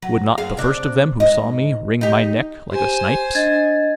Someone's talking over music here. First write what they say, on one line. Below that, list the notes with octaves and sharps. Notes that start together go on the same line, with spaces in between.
Would not the first of them who saw me wring my neck like a snipe's?
F#3
F#2 G#4 F5
C3 D4
G#2 D#5
D#4 G4
G4 C5 G#5
D4 D#5 G#6 A6